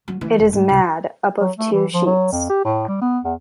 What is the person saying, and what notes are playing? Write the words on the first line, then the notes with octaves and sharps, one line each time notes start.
It is mad up of two sheets.
F#3
E3
E1
G#2
C2
F#3
A3
E3
F3
F#3
F2
G4
A2
G3
B3
E2